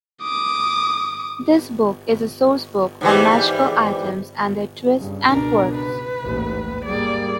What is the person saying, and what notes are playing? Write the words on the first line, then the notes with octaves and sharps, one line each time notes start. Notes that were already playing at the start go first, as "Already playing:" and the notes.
This book is a sourcebook on magical items and their twists and quirks.
D6 D#6
G#2 E3 G3
G2 C#3
C#2 B2 D4 A#4
B4
A1 D#2 G#2
G#2 G3 A#3 G#4 D5